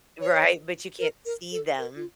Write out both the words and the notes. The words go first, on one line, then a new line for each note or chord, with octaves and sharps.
Right, but you can't see them.
C#5
A#4
A#4
A4
A#4
F4